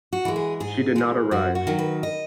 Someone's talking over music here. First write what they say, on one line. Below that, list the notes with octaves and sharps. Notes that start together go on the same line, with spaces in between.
She did not arrive.
F#4
E3 G#3
G#4
G#2 G#4
E3 G#3
F#2 F#4
F#4
D#3 F#3
B4
D#5